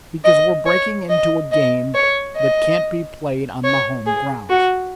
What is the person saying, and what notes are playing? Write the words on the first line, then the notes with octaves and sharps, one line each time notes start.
Because we're breaking into a game that can't be played on the home grounds.
D#5
C#5
D#5
D#5
C#5
D#5
C#5
G#4
F#4